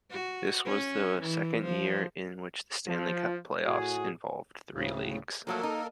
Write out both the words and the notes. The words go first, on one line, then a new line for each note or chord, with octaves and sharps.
This was the second year in which the Stanley Cup playoffs involved three leagues.
F#4
C#4
E3
F3
F3
A2 F#4 G#4
D2 A2 C#3
F3 F#3 A3 A#3 A4 A#4
D#4